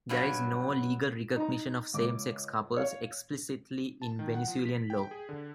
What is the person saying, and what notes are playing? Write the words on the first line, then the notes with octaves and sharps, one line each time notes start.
There is no legal recognition of same-sex couples explicitly in Venezuelan law.
G2 B2 F#3
D#4 A#5
C#2 D6
C#5 F5
A5
D#3
F#5
F3
B6
G5
G#4
D3